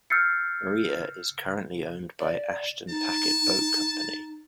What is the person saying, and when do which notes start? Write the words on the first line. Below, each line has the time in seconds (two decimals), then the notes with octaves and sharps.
"Maria" is currently owned by Ashton Packet Boat Company.
0.10 E6 F6 G6 A6 C7 C#7
2.19 D5
2.90 D#4 A5